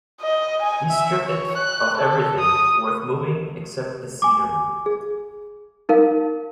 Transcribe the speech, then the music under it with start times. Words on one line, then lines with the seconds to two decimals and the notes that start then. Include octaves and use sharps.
He stripped it of everything worth moving, except scenery.
0.21 D#5
0.63 G#5
0.91 E5
1.25 C#5
1.58 F#6
1.98 A4
2.40 D#6
4.22 G#5 D6
4.86 G#4
5.89 D#4 A#4 F5